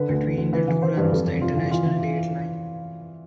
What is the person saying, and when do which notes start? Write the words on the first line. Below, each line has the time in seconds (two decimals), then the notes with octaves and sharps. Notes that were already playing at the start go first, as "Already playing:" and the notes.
Between the two runs the International Date Line.
Already playing: D3 B4
0.09 D2
0.23 D3
0.37 D2
0.53 E3 B4
0.68 E3
0.82 E3 C5
0.97 G2 B4
1.12 F2 A4
1.27 F2
1.42 C3 F4
1.57 E3
1.71 E3 F4
1.86 E3